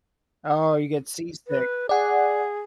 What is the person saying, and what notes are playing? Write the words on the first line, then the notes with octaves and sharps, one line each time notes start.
Oh, you get seasick.
B4
G#4 D5 F#5